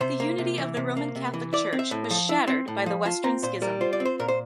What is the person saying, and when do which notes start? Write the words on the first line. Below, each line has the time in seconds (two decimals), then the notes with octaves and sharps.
The unity of the Roman Catholic Church was shattered by the Western Schism.
0.01 C3 C5
0.20 A#3
0.38 C3
0.58 E3
0.77 C3
0.97 A#3
1.15 C3
1.34 E3
1.53 E4 D5
1.73 C4
1.79 E5
1.91 A2
2.11 F3
2.29 E4
2.47 C4
2.68 A2
2.86 F3
3.06 F4 A5
3.24 C4 A#5
3.43 A#2 C5
3.62 G3 A#4
3.81 F4 C5
3.93 D5
4.00 C4
4.05 C5
4.19 A#2 A#4
4.28 C5